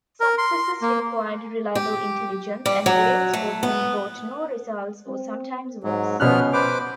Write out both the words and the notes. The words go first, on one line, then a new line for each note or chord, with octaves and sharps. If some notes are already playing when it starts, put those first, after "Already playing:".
Successes required reliable intelligence and raids often brought no result-or sometimes worse.
A#4
C6
A#3
G4
G3
F#3
A3
B3
C4
G#2 F#3
B2 F3 B3 C#4 F6 F#6
B4 C5 D6